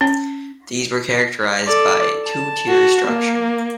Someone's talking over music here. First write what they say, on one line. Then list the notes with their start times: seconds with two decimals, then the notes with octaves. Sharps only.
These were characterized by a two-tier structure.
0.01 C#4
1.65 A4 D5
2.25 A5
2.68 F#4
3.07 A#3